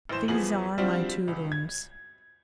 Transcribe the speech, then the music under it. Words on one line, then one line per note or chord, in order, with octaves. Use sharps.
These are my two rooms.
A1 E3 C5 E7
E2 F3 B3 G#4 F#7
F3 G3 C4 D4 F4 F#4
C#2
G#6